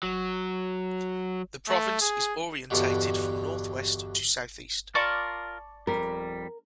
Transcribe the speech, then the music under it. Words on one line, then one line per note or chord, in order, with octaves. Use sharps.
The province is orientated from northwest to southeast.
F#3
A3
G#4
E2 G2 B2 D3
F4 A#4 D5 A5 C#6
F2 G3 A#4